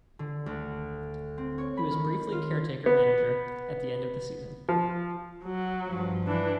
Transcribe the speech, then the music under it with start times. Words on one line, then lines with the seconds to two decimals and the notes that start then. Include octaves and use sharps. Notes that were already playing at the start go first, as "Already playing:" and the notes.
He was briefly caretaker manager at the end of the season.
0.19 D3
0.46 D2
1.38 C4
1.58 C#5
1.77 B5
1.91 D#3
2.32 F4
2.86 B3
4.69 F3
5.44 F#3
5.86 G2 F3
6.27 E3 D4